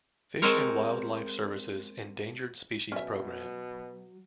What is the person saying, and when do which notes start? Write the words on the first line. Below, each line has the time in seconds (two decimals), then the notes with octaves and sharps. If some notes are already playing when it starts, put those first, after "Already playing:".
Fish and Wildlife Service's endangered species program.
0.42 G#3 C4 A#4 C#5
2.92 B2 F#3 C#4 E5